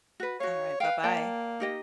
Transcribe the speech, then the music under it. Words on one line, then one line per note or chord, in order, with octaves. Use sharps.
Alright. Bye-bye.
F#4 B4
F#4 C#5 F5
B4 F5 G5
A#3 D5 G5 A5
D#4 G4 D#5